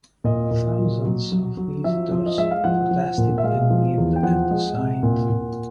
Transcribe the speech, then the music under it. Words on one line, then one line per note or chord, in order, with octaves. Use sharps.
Thousands of visitors protested and grieved at the site.
A#2 D#5
A#2
F#3
F#3
F#3
F#3
F3 E5
F3
D#5
G#3 E5
F5
F3 F#5
F3
A#2
E5
G#3 F5
F3
E2
G5
F3 F#5
G#3
C3
A#2
A#2